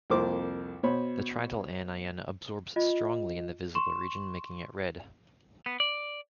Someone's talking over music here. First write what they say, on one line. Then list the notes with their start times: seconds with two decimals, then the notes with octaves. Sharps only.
The trityl anion absorbs strongly in the visible region, making it red.
0.10 C2 F2 A#3 C5 D6
0.83 B2 C5 C#5 B5
2.76 F4 D#5
3.75 C6 C#6 E7
5.66 B3
5.80 D5